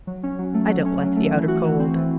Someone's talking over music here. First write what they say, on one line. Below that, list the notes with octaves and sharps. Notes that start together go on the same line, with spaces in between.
I don't like the outer Cold.'
F#3
C#4
F#3
A3
F#3
C#4
F#3
A3
E3
F#4
E3
C4
E3